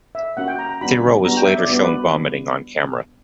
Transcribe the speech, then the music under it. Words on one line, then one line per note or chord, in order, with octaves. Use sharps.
Theroux was later shown vomiting on camera.
E5
A#3 C#4 F#4 F#5
G5
A#5
A#5
G3 B3 D4 F#4 B5
G3 B3 D4 F#4 A#5
G5
E5
D5
G3 B3 D4 F#4 D5
B4